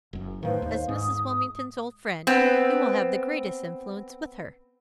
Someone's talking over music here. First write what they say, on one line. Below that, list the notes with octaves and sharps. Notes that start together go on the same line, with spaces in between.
"As Mrs. Wilmington's old friend, you will have the greatest influence with her."
F#1 F#2
A2 D#3 B4 C5 F5
D#2
G#2 D#6
B3 C4